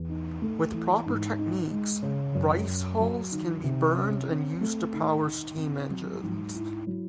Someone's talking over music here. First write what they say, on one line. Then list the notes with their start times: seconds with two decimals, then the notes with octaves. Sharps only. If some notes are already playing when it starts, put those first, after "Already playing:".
With proper techniques, rice hulls can be burned and used to power steam engines.
Already playing: E2
0.09 D#4
0.42 A3
0.74 E3
1.06 G#2
1.39 D#4
1.71 G#3
2.03 C#3
2.35 F#2
2.67 F#2
3.00 F#3
3.32 D#3
3.64 C3
3.96 C#4
4.29 C4
4.61 A3
4.93 D#3
5.26 D#4
5.57 C4
5.90 F#3
6.22 G#2
6.55 E4
6.87 F#3